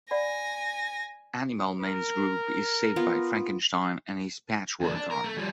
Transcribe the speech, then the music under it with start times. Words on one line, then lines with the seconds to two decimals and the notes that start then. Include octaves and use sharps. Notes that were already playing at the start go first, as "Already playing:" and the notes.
Animal Man's group is saved by Frankenstein and his Patchwork Army.
0.11 D5 F#5 G#5 B5 A#6
1.81 A#4
2.96 B3 F4
4.81 E2 D4
4.95 D4
5.11 A#4
5.24 A3
5.38 F3 G3